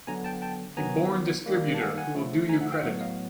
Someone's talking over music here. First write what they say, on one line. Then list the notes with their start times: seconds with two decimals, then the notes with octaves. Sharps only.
A born distributor, who will do you credit.
0.07 D3 F#3 B3 G#5 A#5
0.24 G5 A5
0.42 G5 A5
0.77 D#3 F#3 B3 G#5 A#5
1.46 D#3 G3 A#3
1.75 A5
1.80 F#5 G#5
1.97 F#5 G#5
2.15 D3 F3 A3
2.49 G#5 A#5
2.61 E5 F#5
2.72 F5 G5
2.83 A2 F#3 B3 E5 F#5
3.01 D#5 F5